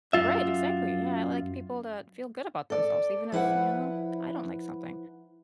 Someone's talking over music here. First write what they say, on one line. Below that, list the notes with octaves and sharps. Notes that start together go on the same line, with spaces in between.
Right, exactly, yeah. I like people to feel good about themselves even if, you know, I don't like something.
F#2 D#3 F4 E5
A4 D5
F3 E4 B4 F#5